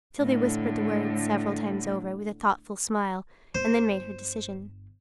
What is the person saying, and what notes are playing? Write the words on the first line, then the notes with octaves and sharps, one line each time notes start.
Sylvie whispered the words, several times over, with a thoughtful smile, and then made her decision.
A2 D3
G1 C5